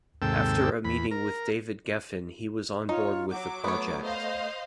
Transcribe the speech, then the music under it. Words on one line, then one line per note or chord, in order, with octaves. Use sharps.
After a meeting with David Geffen he was on board with the project.
D#2 G#2 C3 A4 G5 E6
E2 B5
A#4
D#4 F4 C#5
F#3 F#5 D6
A3 B3 C#5
C5 D#5 F5